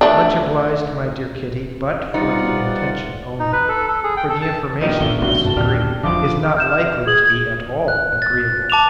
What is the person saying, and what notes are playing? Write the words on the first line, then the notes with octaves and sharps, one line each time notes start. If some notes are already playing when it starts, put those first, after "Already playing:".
"Much obliged, my dear Kitty; but for the intention only--for the information, you must agree, is not likely to be at all agreeable."
A3 D4
C3 E3 G3 D#4 F4 D5 F#5
D#4
B4
A4
A4
G#4
G5
A4
A5
A#1 D#3 B3 G4 A#4 G5 D#7
G1 A2 A3 D4 G7
B1 G2 C4 F#4
F#2 C#3 A5
D#2 A#2 D3 G3 F6
F1 E2 D3 E3 F3 B3 D6
E5 F6 G6 E7
G#4 D#6 G#6 F#7
F#6
A6
A5 D6 E7 F7